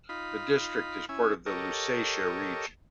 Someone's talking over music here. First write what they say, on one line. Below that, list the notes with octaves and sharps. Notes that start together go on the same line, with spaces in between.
The district is part of the Lusatia region.
D#4 F4 B5
C#4 E4 G#5
G4 A4 A#4 C#5 D#5